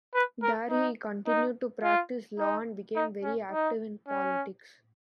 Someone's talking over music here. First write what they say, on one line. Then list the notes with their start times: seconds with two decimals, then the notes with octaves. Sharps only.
There he continued to practise law and became very active in politics.
0.14 B4
0.43 A#4
0.70 D#4
1.27 D#4
1.83 F4
2.39 D#4
2.96 D#4
3.23 C#4
3.52 D#4
4.08 C#4